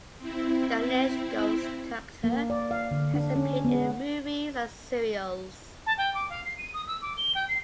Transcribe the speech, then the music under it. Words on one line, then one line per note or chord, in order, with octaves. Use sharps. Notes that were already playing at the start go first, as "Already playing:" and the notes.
Ganesh Ghote's character has appeared in a movies and serials.
C4 E4
A#3
D5
F5
D3
D4
C#4
B3
A5
G5
D6
F5
C7
D#7
D#6
E6
D6
G7
G5
C7